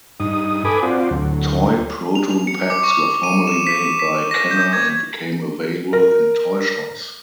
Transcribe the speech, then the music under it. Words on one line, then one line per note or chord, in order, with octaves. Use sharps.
Toy proton packs were formerly made by Kenner and became available in toy shops.
G2 D#4 D#6
A4 B4 G#5 B5 D6 D#6
C4 F4 F#4 C5 D5
D2 F#3
F7
F7
C#7
D6
C#6
D#7
E7
B6
B6
A#6
G6
G#6
A#4